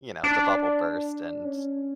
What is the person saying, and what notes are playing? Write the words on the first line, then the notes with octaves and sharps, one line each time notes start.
you know, the bubble burst and
D4
C#4